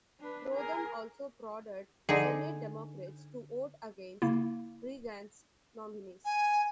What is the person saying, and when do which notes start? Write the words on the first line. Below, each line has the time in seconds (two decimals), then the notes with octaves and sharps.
Rodham also prodded Senate Democrats to vote against Reagan's nominees.
0.20 D4 B4
0.55 G#4 A#4
2.09 D3 D#4 G#4
4.22 C#3 A#3 E4
6.25 G#5